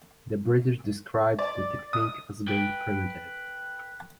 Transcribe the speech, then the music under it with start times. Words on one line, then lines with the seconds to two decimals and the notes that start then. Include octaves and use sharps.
The British described the technique as being "primitive".
1.39 D5
1.93 D#6
2.48 B4 G5